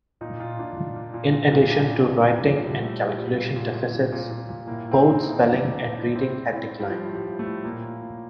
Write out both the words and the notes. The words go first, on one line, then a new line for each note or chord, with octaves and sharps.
In addition to writing and calculation deficits, both spelling and reading had declined.
A#2 D#4
A#2 F4
A#2 D4
A#2
A#2
A#2
A#2
A#2
A2 D4
A2
A2
A2
A2 F3
A2 G3
A2 A3
A2 G3
A#2 G3
A#2
A#2
A#2
A#2
A#2
A#2
A#2
A2 A#3
A2
C4
A2
D#4
A2
A2 D4
A2
A2
A2
A2 C4
A2
A2
A2
G3
A2 F3
A2
G3
A2
A3
A2
A#2 A#3
A#2
A#2